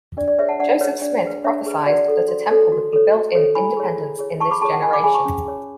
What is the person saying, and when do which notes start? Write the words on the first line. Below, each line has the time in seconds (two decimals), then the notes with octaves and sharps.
Joseph Smith prophesied that a temple would be built in Independence "in this generation".
0.17 D4 D5
0.28 D5
0.39 G#4 B4 C#5 E5
0.49 F#5 A5
0.59 D4 D5 F#5
0.81 G#4 B4 C#5
1.01 D4 D5
1.23 G#4 B4
1.44 D4 C#5 E5
1.66 G#4 B4
1.86 F#4 D5 F#5
2.08 A4 C#5
2.28 F#4
2.51 A4 C#5
2.72 F#4
2.93 A4 C#5
3.14 F#4
3.35 A4 C#5
3.55 E4 G#5 B5
3.77 G#4 C#5
3.98 E4
4.19 G#4 C#5
4.40 E4 A5 C#6
4.51 B5 D6
4.62 G#4 C#5 A5 C#6
4.72 F#5 A5
4.82 E4 G#5 B5
4.93 B5 D6
5.04 G#4 C#5 G#5 B5
5.14 A5 C#6
5.25 C#4
5.46 G#4 C#5